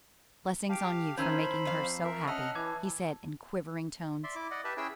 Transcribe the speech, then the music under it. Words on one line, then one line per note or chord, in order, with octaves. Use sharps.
"Blessings on you for making her so happy," he said in quivering tones.
G4 F5 A5 D7
D#3 E3 C#4 C5 A#5 B5 E6 G6
F2 F5 C7
A#4 E5
C#4 D#5 F#5 A5 E6 F6
E3 A5 D6 G#6
D5 E5 C6
E4 D6
D5 D#5 F#5
G4 B4 E5 A5
C#4 E4 G#4 G5 E6